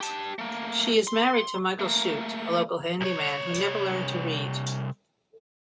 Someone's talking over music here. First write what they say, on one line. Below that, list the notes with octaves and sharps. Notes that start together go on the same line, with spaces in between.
She is married to Michael Chute, a local handyman who never learned to read.
G4 A5
A3 A#3
C6
A3 A#3
C2 C#5